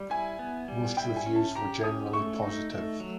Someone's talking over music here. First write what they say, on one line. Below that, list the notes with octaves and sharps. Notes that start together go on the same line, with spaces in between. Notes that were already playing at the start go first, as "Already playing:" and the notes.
Most reviews were generally positive.
Already playing: G3
E4 G#5
B3
G3
E4 G5
G#5
C#4
A5
G4 A#5
C#4 D#6
A3 C#6
D#4
A3
F#3